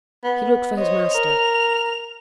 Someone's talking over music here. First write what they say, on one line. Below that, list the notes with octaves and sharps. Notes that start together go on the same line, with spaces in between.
He looked for his master.
B3
C5 C#5 D#5
A#4 F7